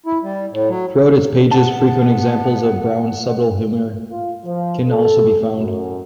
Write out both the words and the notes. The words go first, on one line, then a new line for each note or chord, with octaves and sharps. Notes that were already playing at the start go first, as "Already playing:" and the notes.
Throughout its pages frequent examples of Browne's subtle humour can also be found.
E4
G3
A2
F#3
B3 F#5 A5
F4
F3
A4
F#2